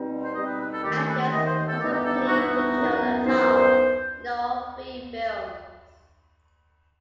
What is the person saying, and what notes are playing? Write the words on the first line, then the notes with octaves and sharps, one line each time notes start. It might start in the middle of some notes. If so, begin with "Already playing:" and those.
Andreas also played the killer, Karl, in all three films.
Already playing: B2 G3 C4 D#4
C5
B2 G3 C4 D#4 D#5
B4
B4
A4
D#2 D#3 A3 G4
A4
B4
C5
D#2 D#3 A3 D#5
C5
A4
G2 E3 B3 D#4 G4
G4
A4
G4
G2 E3 B3 D#4 F#4
E4
F#4
F#2 E3 B3 D#4
F#2 E3 B3 D#4 C5